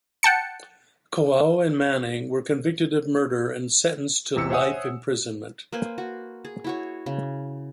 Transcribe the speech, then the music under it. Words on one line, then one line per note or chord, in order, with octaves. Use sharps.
Kouao and Manning were convicted of murder and sentenced to life imprisonment.
F#5 G5 A5 C#7
A1 E2 C3 E6 C#7
C5 C#5 E5 F#5 G#5 D#6
A#3 B4 C5 G#5
F#4
G#4
E4 F#4 C#5
C#3